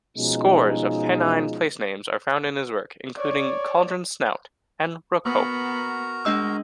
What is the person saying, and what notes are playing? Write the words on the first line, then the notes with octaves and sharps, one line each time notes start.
Scores of Pennine place-names are found in his work, including Cauldron Snout and Rookhope.
B2 F3 G#3 C#4 D#4
C#5 D5
B3 F#4 A#4 A#5
G#3 D4 D#5 E6